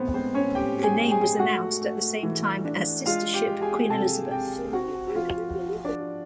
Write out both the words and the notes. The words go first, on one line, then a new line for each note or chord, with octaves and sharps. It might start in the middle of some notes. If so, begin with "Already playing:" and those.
The name was announced at the same time as sister ship "Queen Elizabeth".
Already playing: A2 B3 C4 B4 C5
G#3 C4 C5
C#4 C#5
A2 G4 G5
G#4 G#5
G#3
G#4 G#5
A3 F#4 F#5
A3
E3
D4
G#3 F4 F5
G4 G5
G#3
G#4 G#5
C3 A4 A5
C3 G4 G5
C4 F#4 F#5
F3 F4 F5
F3
D4 D5
F3